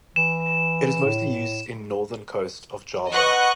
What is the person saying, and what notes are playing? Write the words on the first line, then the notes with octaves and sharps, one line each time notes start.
It is mostly used in northern coast of Java.
E3 E7
A2
B4 D#5 F#5 C#6 F#6